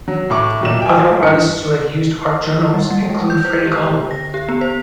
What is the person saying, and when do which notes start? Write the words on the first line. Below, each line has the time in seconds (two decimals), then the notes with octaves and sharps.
Other artists to have used art journals include Frida Kahlo.
0.08 F#3
0.30 A2 C#6 D6
0.61 B1 A#2 E7
0.82 G5 G#5
1.22 G2 C#7
2.74 G3
2.91 G3
3.09 G#3
3.30 G6
3.45 C5
3.65 G4
3.91 D3
4.11 A#6
4.34 G4
4.49 B3
4.61 C5